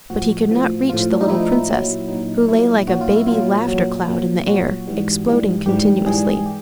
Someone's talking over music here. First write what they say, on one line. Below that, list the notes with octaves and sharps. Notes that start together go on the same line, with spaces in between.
But, he could not reach the little princess, who lay like a baby-laughter-cloud in the air, exploding continuously.
A2 F3 F#4
A2 F3
A2 F3 F4
D4
D#4
A2 F3 E4
A#2 F#3
A#2 F#3 D#4
A#2 F#3 E4
A#2 F#3 F#4
F4
E4
A#2 F#3 F4
A#2 F#3
A#2 F#3
A#2 F#3 F#4
G#2 E3 G3
G#2 E3 G3
G#2 E3 G3 G4
G#2 E3 G3 G#4
G4